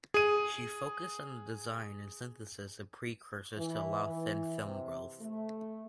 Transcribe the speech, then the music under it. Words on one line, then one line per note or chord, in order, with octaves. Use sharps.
She focussed on the design and synthesis of precursors to allow thin film growth.
G#4 D#7
E3
E3
C3
A3